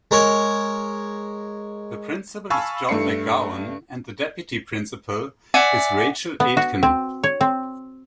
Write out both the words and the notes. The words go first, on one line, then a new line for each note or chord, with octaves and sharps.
The principal is John McGowan and the deputy principal is Rachael Aitken.
G#3 A#4 C#5
F5 G#5 A5 B5 C#6 E6
G2 A3 C7 C#7
D5 E5 F#5 G#5
B3
F#4
C4
C#5
C4